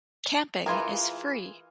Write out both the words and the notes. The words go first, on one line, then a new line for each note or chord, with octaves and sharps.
Camping is free.
E3 F4 G#4 A#4